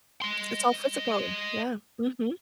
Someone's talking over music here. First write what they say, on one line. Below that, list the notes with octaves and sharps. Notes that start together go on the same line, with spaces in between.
It's all physical. Yeah, mhm.
D#5 C6